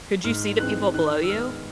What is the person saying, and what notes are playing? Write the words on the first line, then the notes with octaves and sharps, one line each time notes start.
Could you see the people below you?
G#2 F6
E3 G#3 C4 F#6
D#3 F#6
E6
G#3 B3 F6